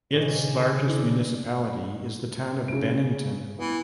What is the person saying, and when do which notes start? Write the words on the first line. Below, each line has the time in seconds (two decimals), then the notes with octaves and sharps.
Its largest municipality is the town of Bennington.
0.13 D#1 C#3
0.86 D4 E4
2.68 C#3 D7
3.59 E3 B3